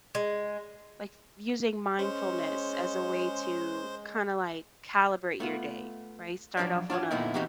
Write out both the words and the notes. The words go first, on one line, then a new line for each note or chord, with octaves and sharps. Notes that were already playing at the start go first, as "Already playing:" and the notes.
Like using mindfulness as a way to kinda like calibrate your day, right? Start off on a
G#3
G#3 C#4 C5
A3 B3 F4
F3 F#3 D4 C#5 D5
D4 F4 C#5 F#5
F2 A#2 D3 B3 D#4 E4
E3 B3 C4 D#4 F#4 G4